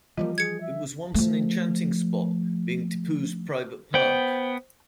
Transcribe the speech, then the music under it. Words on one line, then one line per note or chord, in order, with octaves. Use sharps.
It was once an enchanting spot, being Tipu's private park.
E3 F3 G3 A#3 F4 D#5
G#4 G#6 C#7
E5
F3 A3
B3 C5 G5 F#7